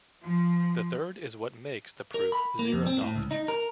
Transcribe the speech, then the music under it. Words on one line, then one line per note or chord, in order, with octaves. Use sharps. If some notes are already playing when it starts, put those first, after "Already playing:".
The third is what makes the proof zero-knowledge.
F3
A#4
B5
A#3
F2
C4
A2
C#2
D#4
A#4